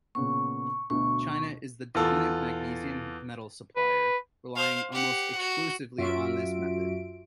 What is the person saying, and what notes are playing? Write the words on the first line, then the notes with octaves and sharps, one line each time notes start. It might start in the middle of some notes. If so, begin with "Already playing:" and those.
China is the dominant magnesium metal supplier, relying almost exclusively on this method.
A#2 C#3 B3 C#6
D2 B2 C#6
E2 F4 A4
B4
C5 F5
G4 F#5
F#4
F#2 F#3 F4 F#4 E5 D7